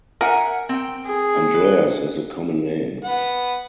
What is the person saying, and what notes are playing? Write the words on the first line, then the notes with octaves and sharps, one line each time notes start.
Andreas is a common name.
A#4 E5 F#5 G#5
C4 G5
G#4
B4
B4 F#5